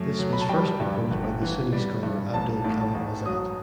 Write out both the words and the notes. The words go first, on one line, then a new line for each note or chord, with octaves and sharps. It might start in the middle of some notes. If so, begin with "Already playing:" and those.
This was first proposed by the Sunni scholar Abul Kalam Azad.
Already playing: F#2 A3
F#3
B5
A5
G3 G5
G2
G1
E3
G3
G2
A1 A5
A2
A5
A1
F#3 D#6